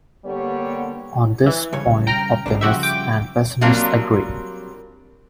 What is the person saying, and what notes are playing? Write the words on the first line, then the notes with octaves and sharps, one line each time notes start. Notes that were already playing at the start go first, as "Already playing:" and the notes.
On this point optimists and pessimists agree.
D3 G3 A#3 B3 G4 C#5
E3
G2 C#3 C#5
G5 A#5 F6
A#1 C#3 D4
G2 C#3 F3 F#4 G4 E5
G5 D6
F#3 G3 A#3 C4 D4 F4